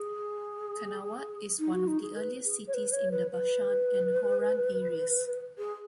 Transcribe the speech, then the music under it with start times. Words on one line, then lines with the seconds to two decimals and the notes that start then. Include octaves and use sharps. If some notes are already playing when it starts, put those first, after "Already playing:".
Qanawat is one of the earliest cities in the Bashan and Hauran areas.
Already playing: G#4
1.59 D#4
1.73 F#4
1.87 D#4
2.02 G#4
2.16 B4
2.45 G#4
2.67 C#5
2.74 B4
2.92 C#5
3.11 B4
3.31 B4
5.58 G#4